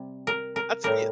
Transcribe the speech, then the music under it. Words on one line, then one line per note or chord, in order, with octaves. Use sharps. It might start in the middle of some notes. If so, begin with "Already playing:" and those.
that's yeah.
Already playing: C3 G3
A#4
A#4
A2 G3 A#4